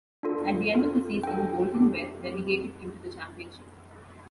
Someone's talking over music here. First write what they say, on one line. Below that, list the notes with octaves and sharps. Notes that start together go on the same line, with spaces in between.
At the end of the season, Bolton were relegated into the Championship.
D4 F4 A4
C4 F4 A4
D4 A4 G5
D4 G4
C4 G4